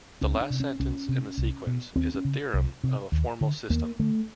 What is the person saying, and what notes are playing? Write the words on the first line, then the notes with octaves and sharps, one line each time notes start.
The last sentence in the sequence is a theorem of a formal system.
C#2 C#4
C#4
D4
C3
C#4
C2 C#4
C3
C2
B2
D#2 C4
C#4
C#3
C2
C3
D#2
D3
D#2 A#3
D3 A3